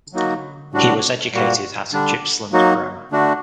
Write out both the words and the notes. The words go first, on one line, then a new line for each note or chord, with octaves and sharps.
He was educated at Gippsland Grammar.
F#3 A#3 D#4 F#4
A2 G3 D4 F#4
A#2 G3 A#3 F#4
D3 G3 D4
F#3 A#3 D#4 F#4
D3 A3 D4 F#4